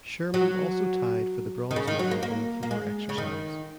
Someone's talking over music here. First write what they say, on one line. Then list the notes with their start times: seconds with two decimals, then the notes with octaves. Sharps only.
Schermann also tied for the bronze medal on the floor exercise.
0.34 F#3
1.71 D#3
1.76 C#3
1.87 D#3
1.99 F#3
2.11 A#3
2.23 A#3
2.63 A#3
2.71 G#3
3.09 C#3
3.18 D#3